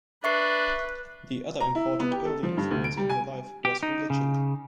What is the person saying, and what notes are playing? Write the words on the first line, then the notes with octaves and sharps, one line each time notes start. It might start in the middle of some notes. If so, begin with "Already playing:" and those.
The other important early influence in her life was religion.
D4 B4 E5 C#6 C7
A#5
E4
B3
G4
A4
F3
G2
D2
D7
G3
G#5
G4
D#4
C#3